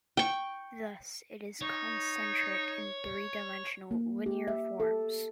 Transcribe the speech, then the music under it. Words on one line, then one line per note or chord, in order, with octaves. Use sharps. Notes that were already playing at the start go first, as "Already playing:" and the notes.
Thus, it is concentric in three-dimensional, linear forms.
G5 C#6
D#4 C#5
A#3
G4
E5
A4